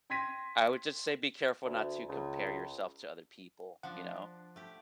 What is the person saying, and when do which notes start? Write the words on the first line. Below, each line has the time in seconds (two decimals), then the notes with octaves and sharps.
I would just say be careful not to compare yourself to other people, you know?
0.10 G5 C6 G#6 A#6 B6 D#7
1.66 D2
2.09 C#2
3.83 F3 D4 F#5
4.56 A3 G4